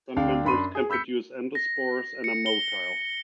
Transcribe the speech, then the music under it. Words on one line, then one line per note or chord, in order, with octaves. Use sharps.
Some members can produce endospores and are motile.
D2 D4 F5 G5
F#2 D4 B5 C6 D#7
G#4
B5 E6 G6 B6 C#7
A#6
C#7
G7